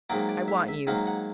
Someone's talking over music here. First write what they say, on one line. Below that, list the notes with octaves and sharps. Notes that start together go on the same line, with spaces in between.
I want you.
G#2 D#3 F#3 A#3 D5
D5
E5
E5
G#2 D#3 F#3 A#3 F5
F#5